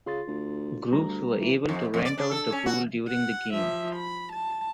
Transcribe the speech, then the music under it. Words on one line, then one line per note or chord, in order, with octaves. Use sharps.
Groups were able to rent out the pool during the game.
C#3 F4 C6 A6
D2
D2 G3 A#5
E3
F2
F2
D5
D4
A4
C#4
F#4
F#5
F3 E5
B5
A5